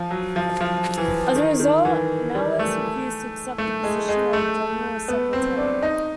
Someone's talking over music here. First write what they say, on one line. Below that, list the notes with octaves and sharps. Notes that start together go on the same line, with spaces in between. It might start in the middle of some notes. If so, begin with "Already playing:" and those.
As a result, Nahles refused to accept the position of general secretary.
Already playing: F3
F#3
F3
F3
E3
D#3
D#3
E3
G3
A3
A3
G#3
G#3
A3
B3
C4
D4
D#4